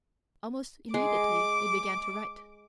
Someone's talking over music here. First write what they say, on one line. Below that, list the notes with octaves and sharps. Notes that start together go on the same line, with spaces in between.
Almost immediately it began to write.
G#3 D6